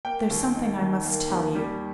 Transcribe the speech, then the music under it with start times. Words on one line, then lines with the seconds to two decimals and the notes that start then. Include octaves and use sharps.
'There's something I must tell you.
0.05 A#3 G5
0.30 D#2
0.56 D#4
0.80 D#3
1.05 A#3
1.30 D#2
1.55 G3